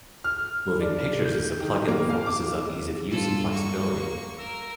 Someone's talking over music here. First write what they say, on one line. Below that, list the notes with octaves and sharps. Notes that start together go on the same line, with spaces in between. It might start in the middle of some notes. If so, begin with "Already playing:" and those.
Moving Pictures is a plug-in that focuses on ease of use and flexibility.
F6
D4
G6
D#3
A#3
F5
D6
G2 F4 A4
A#3 C#6
A#4 E6